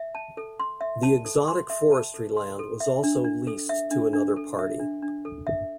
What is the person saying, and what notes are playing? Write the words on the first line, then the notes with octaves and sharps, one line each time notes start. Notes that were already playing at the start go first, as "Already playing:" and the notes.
The exotic forestry land was also leased to another party.
Already playing: E5
A5
A4
C6
E5
A5
A4
C6
E5
A5
A4
C6
A4
E5
D4
D4
A4
E5
D4
D4
A4
E5
D4
D4
A4
E5